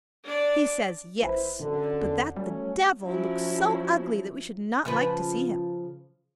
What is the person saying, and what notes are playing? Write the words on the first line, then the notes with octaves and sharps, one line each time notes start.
He says ''Yes;'' but that the Devil looks so ugly that we should not like to see him.'
D4 D5
A1 E4 B4 C5
D1 F#2 D3
E2
F#3 G3 A3 C#4
F3 F#3 C#4 E4
C#3 F3 B4